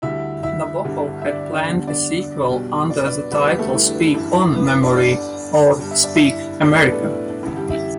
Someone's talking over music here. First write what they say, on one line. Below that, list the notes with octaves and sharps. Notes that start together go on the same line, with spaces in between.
Nabokov had planned a sequel under the title "Speak on, Memory" or "Speak, America".
D2 D3 G3 E4 E5
E4 E5
G1 G2 D3 G3
E5
D4 D5
D4 D5
E2 D3 G3
D4 D5
B1 B2 G3
D5
B4
D4 D5
E1 D2 D3 G3 B3 B4
G3 G4
A3 A4
E4
D4
E4
D4
A1 G2 E3 E4
E4
B3 B4
D4 D5
G1 G2 D3 D4 D5
G1 G2 G3
E5
D5
E4 E5
B1 A2 E3 G3 D4 D5
D4 D5
B3 B4
A3 A4
E4
D4
A1 G2 D3 G3 E4
G3 G4
E4 E5